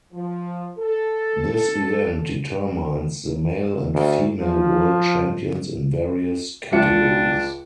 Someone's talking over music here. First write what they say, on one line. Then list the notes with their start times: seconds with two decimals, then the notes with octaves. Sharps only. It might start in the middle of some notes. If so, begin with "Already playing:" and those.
This event determines the male and female world champions in various categories.
0.13 F3
0.78 A4
3.94 D2
4.40 F3
6.73 C#2 D4 F4 C#7